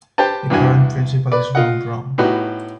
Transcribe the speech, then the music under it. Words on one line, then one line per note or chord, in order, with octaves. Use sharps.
The current principal is Ron Brown.
G4 B4 C5 G5 A5
E2 G2 F#4 G#5
B4 D5
F4 D#5 F#5
A2 B3 D#4 F#4 G4